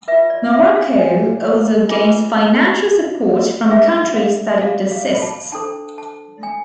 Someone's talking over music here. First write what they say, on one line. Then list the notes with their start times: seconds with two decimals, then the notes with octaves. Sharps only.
Morocco also gains financial support from countries that it assists.
0.08 F4 B4 E5
0.30 D5
0.53 E5
0.76 F5
0.99 G#5
1.89 F4 G#4 B4 G#5
3.71 D4 G#4 B4 E5
4.16 F5
4.62 F5
4.91 F5
5.15 B5
5.22 A5
5.52 D4 A4 C5 A5
5.98 A5
6.43 G#5